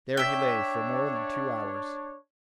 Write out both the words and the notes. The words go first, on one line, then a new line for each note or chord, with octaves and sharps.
There he lay for more than two hours.
D4 C#5 E5 G5